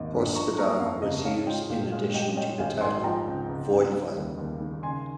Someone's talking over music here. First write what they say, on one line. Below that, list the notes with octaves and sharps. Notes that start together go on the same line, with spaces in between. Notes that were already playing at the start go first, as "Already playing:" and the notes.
"Hospodar" was used in addition to the title "voivod".
Already playing: G#1 D#2 D#3 A#3 D#5
G2
F3 A#5 C#6
A#3 A#5 C#6
F2 F5
C#3 D#5
C#4 F5
F4 D#5 G5
A#2 F5
G#3 F5
G3 D#5 G5
C#4 D#5 G5
G#1 F5 G#5
G#2 G#5 C6
F3 G5 A#5
C#2
C#2
C#3
G3
D#2
D#2
D#3
C#3 G#5 C6